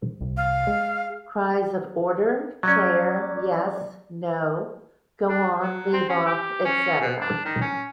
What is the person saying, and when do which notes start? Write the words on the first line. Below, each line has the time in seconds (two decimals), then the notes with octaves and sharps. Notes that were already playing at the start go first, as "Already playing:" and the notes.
Cries of “Order,” “Chair,” “Yes,” “No,” “Go on,” “Leave off,” etc.
0.21 C2
0.37 F5
0.67 G#3
2.63 F#3 C#4 D5
5.29 D4
5.62 F#3
5.93 C4
6.09 C#4
6.26 G4
6.65 C#4
7.01 B2
7.21 D4
7.45 D#3
7.61 C#4